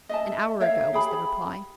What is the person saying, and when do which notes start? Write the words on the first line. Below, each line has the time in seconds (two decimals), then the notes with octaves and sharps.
"An hour ago," was the reply.
0.09 D#5 E5 A5
0.60 A#4 C#5 E5 F5
0.93 G4 G#4 B5